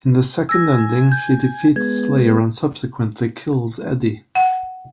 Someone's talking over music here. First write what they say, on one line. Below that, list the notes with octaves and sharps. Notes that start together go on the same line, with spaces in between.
In the second ending, she defeats Slayer and subsequently kills Eddie.
G#5 E6 A#6
G6
G#3 B3 G#6
F#5